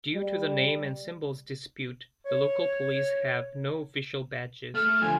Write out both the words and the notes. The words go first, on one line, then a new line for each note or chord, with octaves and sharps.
Due to the name and symbols dispute, the local police have no official badges.
G3
C#5
A3 F6
D3 F3 G#5